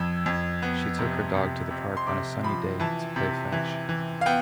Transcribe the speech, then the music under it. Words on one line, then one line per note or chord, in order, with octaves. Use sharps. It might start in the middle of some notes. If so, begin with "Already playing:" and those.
She took her dog to the park on a sunny day to play fetch.
Already playing: F2 E6
F2
B3
C3
C3
C3
C6
C3 D6
F3 B5
E3 A5
C3
E3
E3
F5
B3 G5